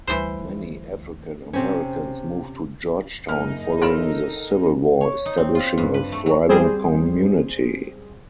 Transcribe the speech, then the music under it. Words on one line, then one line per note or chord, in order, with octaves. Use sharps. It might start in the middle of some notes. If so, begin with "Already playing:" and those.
Many African Americans moved to Georgetown following the Civil War, establishing a thriving community.
D2 E3 G3 C5
C3 C4 C#4
F#1 A#3 D#4 E4 F6
F#3 F4 A4 A#4 B5 D7 E7
C#5
D#4
C4
F4
G2
B4
A3
F#3
G3 C4 G#4 C5